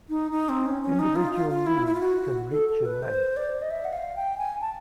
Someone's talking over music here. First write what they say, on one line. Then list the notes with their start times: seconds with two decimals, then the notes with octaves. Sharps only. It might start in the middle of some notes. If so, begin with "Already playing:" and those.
Individual leaves can reach in length.
0.09 D#4
0.31 D#4
0.49 C4
0.66 C#4
0.82 C#4
0.99 D#4
1.16 F4
1.33 F4
1.50 F4
1.67 E4
1.86 E4
1.94 F4
2.00 F#4
2.52 A4
2.69 A4
2.85 B4
3.02 C5
3.37 D5
3.62 D#5
3.71 E5
3.85 F#5
3.93 F5
4.16 G5
4.37 G#5
4.61 A5